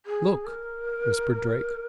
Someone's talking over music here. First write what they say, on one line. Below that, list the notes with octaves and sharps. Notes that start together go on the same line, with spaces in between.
"Look," whispered Drake.
G#4
A#4